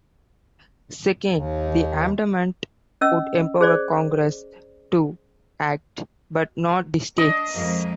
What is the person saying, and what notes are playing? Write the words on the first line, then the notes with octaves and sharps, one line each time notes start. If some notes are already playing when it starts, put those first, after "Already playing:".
Second, the amendment would empower "Congress" to act, but not the states.
D#2
C#4 D#5 E6
G#4 C5 D5
D4 D#5
F2 G#3 A#3